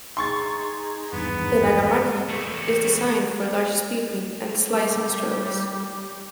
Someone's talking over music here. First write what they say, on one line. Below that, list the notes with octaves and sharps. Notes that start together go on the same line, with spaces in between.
The nagamaki is designed for large sweeping and slicing strokes.
D#4 G#4 A#5 C6 C#6 A6
G#1 E2 G2 B3
E2 A3
G3 G4